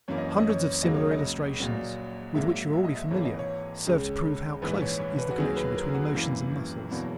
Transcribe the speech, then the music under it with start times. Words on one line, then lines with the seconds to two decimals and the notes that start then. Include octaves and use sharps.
Hundreds of similar illustrations with which you are already familiar serve to prove how close is the connection between emotions and muscles.
0.08 F#2 E3 A#3 C#5
0.18 D#5
0.29 C#5
0.39 D#5
0.50 C#5
0.83 C#2 C#3 F#3 A#3 D#5
0.97 C#5
1.11 D#5
1.60 A#1 A#2 F#3 A#3
2.35 A#1 G#2 F#3 A#3 E5
2.73 E5
2.84 D#5
2.96 E5
3.11 G#1 G#2 E3 A#3 C#5
3.25 D#5
3.39 C#5
3.86 C#2 C#3 G#3
4.62 A#1 G#2 E3 B4
4.82 C#5
4.99 C#5
5.18 B4
5.31 F#4
5.38 D#2 D#3 F#3 G#4
5.57 B4
5.76 A#4
5.90 G#4
5.94 F#4
6.13 G#1 F#2 E3 A#3 E4
6.51 E4
6.90 E1 E2 B2 F#3 A#3 E4